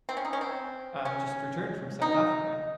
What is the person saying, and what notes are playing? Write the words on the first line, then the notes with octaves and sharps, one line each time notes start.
I’ve just returned from South Africa.
C4
C#4
D#4
C#4
C4
C#4
D#4